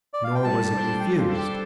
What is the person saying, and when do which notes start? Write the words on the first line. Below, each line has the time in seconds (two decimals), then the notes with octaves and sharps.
Nor was it refused.
0.13 D5
0.24 F5
0.35 G5
0.44 G3 A5
0.73 D4 A4 C5
1.00 G3 G5
1.19 F4
1.28 D4 A4 C5
1.37 G4